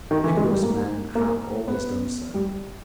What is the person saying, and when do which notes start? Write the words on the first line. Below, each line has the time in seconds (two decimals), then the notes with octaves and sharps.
Vigorous men have always done so.
0.11 D#3
0.24 E3
0.37 G#3
0.50 G3
0.63 A#3
1.15 A#3
1.68 B3
2.34 G3